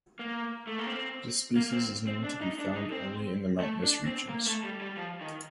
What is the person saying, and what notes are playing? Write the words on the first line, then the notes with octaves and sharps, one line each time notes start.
This species is known to be found only in mountainous regions.
A#3
A3
A#3
C4
A#3
C4
C4
D4
D#4
D4
D#4
C4
A3
D4
C4
A#3
A3
G3
G3
F3
D#3